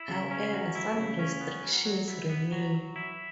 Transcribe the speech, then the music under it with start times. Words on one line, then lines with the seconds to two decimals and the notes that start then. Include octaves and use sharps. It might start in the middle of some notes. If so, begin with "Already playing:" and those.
However, some restrictions remain.
Already playing: E4
0.08 C#3
0.31 C#4
0.53 F#3
0.75 E4
0.97 C#3
1.19 C#4
1.41 B3
1.63 F#3
1.86 F#3
2.08 E4
2.29 B3
2.52 F#3
2.74 F#3
2.96 E4